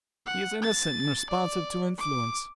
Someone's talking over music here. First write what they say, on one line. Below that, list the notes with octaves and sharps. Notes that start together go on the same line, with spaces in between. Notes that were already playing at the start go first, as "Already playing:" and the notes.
He is innocent and responsive to influence.
F#5
A6
D5
D6